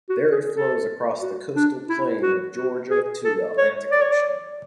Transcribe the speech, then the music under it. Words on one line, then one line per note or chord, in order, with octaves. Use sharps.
There it flows across the coastal plain of Georgia to the Atlantic Ocean.
F#4
G#4
A4
F#4
D4
E4
F#4
F#4
G#4
A4
C#5
D5
C#5
D5